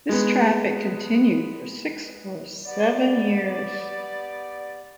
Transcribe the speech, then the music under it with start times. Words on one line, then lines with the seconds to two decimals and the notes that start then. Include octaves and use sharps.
This traffic continued for six or seven years.
0.09 G#3 B3
2.66 B3 G4 D5